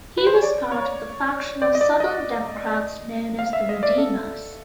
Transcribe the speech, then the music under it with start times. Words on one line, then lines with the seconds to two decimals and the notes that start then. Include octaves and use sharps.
He was part of the faction of Southern Democrats known as the Redeemers.
0.18 B4
0.27 C5
0.35 C#5
0.42 D5
0.72 C#5
1.62 D5
1.75 D#5
1.81 D5
2.00 D#5
3.39 F5
3.53 E5
3.69 D#5
3.83 D5
3.98 A4